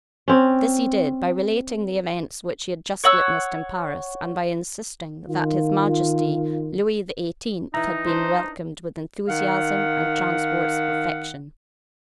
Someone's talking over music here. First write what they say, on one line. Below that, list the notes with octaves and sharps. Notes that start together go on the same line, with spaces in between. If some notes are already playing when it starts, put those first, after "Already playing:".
This he did, by relating the events which he had just witnessed in Paris, and by insisting that His Majesty, Louis XVIII., had been welcomed with enthusiasm and transports of affection.
C4 C#4
C#5 F#5 E6
D#3 F4
E3 D#4 E4 A#5
D4 B4 C5
D#3 F5 F#5